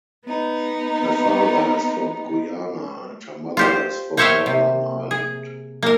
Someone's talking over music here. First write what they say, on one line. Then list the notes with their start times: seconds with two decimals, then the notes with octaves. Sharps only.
Her father is from Guyana and her mother is from Northern Ireland.
0.25 B3 D#4
3.57 F4 G4 C5
4.17 A#3 C5 C#5 E5 F5 G5
4.46 C3
5.11 G#4
5.83 A#3 A#4